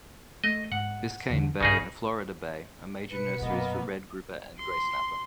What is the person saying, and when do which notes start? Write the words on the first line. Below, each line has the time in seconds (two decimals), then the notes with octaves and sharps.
Biscayne Bay and Florida Bay are major nurseries for red grouper and gray snapper.
0.44 A3 D#5
0.72 G#2 F#5
1.30 E2 D3
1.60 B1 G2 C#3 D#4 G#4
3.10 B2 B4 C#7
3.41 F#2 A#2 A#3 B3 D#5
4.58 C6